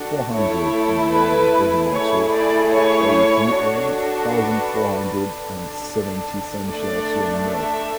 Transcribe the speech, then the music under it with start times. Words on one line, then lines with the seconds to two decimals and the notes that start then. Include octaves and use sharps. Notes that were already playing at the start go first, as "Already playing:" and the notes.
Four hundred and one Brehimont Street, eighty-eight thousand four hundred and seventy Saint-Michel-sur-Meurthe.
Already playing: D4 F#4 A4
0.32 A3 E4 A4 C#5
1.11 B4
1.90 A3 E4 G#4 C#5
2.29 D5
2.69 C#5
3.49 D4 F#4 A4
4.28 B4
5.08 D4 A4
6.66 A3 D4 A4 D5
7.46 E5